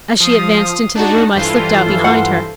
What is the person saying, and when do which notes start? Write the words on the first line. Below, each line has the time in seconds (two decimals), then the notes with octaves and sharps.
As she advanced into the room, I slipped out behind her.
0.20 F3 F5 D#6
0.95 D4 D#4 F#4 A5
1.35 G2 E3 F4 A4 C5
2.04 F#5